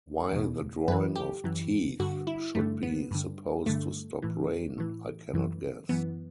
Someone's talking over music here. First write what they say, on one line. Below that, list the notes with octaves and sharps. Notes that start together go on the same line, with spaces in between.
Why the drawing of teeth should be supposed to stop rain, I cannot guess.
E2 B2
F#2 E3 B4
G4
F#2 E3
G2 D3 F#4
E4
G2 D3 A3
B3
G2 D3
G2 D3 A3
A2 E3
A2 E3
F#2 E3
F#2 E3 B3